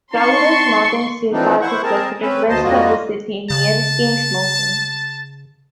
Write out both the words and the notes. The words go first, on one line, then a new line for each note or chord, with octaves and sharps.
Crowders Mountain State Park is located west of the city, near Kings Mountain.
C4 D#4 A5 C6 C#6
E3 F3 C4 D4 D#4
E4 C5 F#5 C#6
C4 G#4 A#4 A5
C4 C#4 B4
D2 B2 C5 D#5 A5 C6
F2 G3 A#3 F4 F#4 D#5
C#3 A5